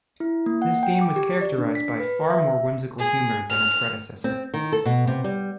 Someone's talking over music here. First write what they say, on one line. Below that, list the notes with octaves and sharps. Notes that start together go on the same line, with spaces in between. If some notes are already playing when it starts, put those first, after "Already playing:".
This game was characterized by far more whimsical humor than its predecessor.
E4
A#3
F#5
G5
D6
G4
D5
D4
B6
B4
E5
G#4
F6
C4
D#3
A4
B2
C3
G3